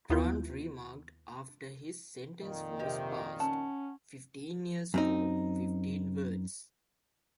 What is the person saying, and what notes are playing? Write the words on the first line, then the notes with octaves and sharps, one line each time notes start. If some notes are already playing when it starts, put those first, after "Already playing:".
Grant remarked after his sentence was passed: "Fifteen years for fifteen words".
D#2 B3 E4 F4 G6
F2 A#2 D#3
C3 G4 D#5
C#4 F#5 A5
F#2 C4 D#4